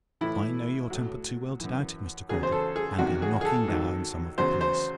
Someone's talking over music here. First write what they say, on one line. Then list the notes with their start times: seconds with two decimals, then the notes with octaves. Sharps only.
I know your temper too well to doubt it, Mr. Caudle--and be knocking down some of the police.
0.21 A2 E3 E4
0.90 A2 F#3
1.60 F#2 E3
2.29 E2 C#3 F#3 G#4
2.43 C5
2.52 A4
2.76 G#4
2.98 E2 C3 D#3 F#4
3.22 G#4
3.41 G#4
3.45 A4
3.68 G#2 D#3 F#3
4.38 E2 C#3 F#3 C5
4.61 C5